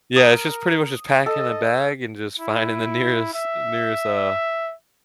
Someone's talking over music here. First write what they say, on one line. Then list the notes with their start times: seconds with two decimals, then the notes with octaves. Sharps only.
yeah, it's just pretty much just packing a bag and just finding the nearest nearest, uh,
0.16 A#4 D#6
1.26 A4 D#5
2.39 E4
3.34 E5